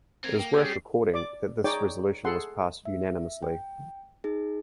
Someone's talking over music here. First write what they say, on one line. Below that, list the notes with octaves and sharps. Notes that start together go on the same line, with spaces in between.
It is worth recording that this resolution was passed unanimously.
C4 A#4 G#6
A#3 G5
C#4 G4 G#4 E6
G3 C7
D5 D6
D#4 G#4 C#5 D5 G5 D6
G#4 A4 F#5 C6
E5
G5
D#4 G#4